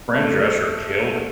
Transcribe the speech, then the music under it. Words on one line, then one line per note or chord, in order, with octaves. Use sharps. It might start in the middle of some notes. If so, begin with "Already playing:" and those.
Fran Drescher killed it.
A3